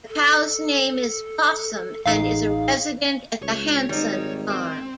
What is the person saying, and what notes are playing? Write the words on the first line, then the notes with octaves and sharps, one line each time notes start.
The cow's name is Blosom and is a resident at the Hanson Farm.
A4
A1 D#4 G#4 F5
C#2 C#5
G#1 G3 D#4
C4